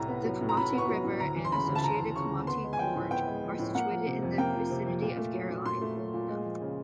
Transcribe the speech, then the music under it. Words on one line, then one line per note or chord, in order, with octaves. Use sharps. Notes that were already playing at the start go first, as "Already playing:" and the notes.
The Komati River and associated Komati Gorge are situated in the vicinity of Carolina.
Already playing: C2 A2 A#5
B3
F#3
A2
A#5
A2 B5
B3
C#6
F#3
A2
D2 A#5
E3
C6
C#3 B5
D2
A5
D2 A#5
E3
C#3 C#6
D2
B3 C6
G#3
G#5
F3 G5
A2
B3 G5
G#3
F3
A2
A#3 F#5
F3
C3
F2
A#3 G5
F3
C3
F2
A#2
A3
F#3
A#2
A#2 C6
A3
F#3
A#2
G#3
F3
C#3